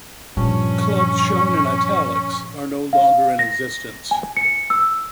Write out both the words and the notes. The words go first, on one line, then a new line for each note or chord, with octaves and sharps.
Clubs shown in "italics" are no longer in existence.
G2 A#2 F3 C#4
F5
A#6
G#5
C#7
E6